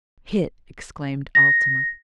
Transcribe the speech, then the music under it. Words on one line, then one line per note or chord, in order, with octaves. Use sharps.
"Hit!" exclaimed Altamont.
A#6